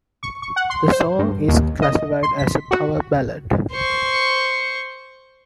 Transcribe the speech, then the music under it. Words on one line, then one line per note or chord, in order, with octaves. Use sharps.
The song is classified as a power ballad.
C#6
C#6
F#5
C6
C5
G2
D#2
D#5
C6
B6
F#4
C5 C#6